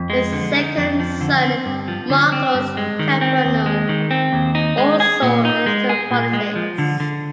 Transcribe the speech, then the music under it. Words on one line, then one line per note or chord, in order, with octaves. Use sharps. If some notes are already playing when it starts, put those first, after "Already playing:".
His second son, Markos Kyprianou, also entered politics.
Already playing: F2
G#3
D3
D#4
F2
F3
D3
C4
G2
F3
D3
C4
G2
G#3
D#3
C4
D#2
G#3
D#3
C4
D#2
D#4
G#3
G#4
A#2
D#4
G#3
G#4
A#2
G#3
F3
D3
D3